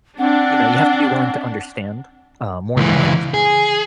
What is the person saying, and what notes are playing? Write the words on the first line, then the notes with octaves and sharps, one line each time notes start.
you know, you have to be willing to understand, uh, more than anything.
C4 D4 F#5
C#2 E3
G#4